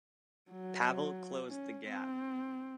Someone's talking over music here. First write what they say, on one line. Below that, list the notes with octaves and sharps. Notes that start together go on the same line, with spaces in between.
Pavel closed the gap.
F#3
C#4
C4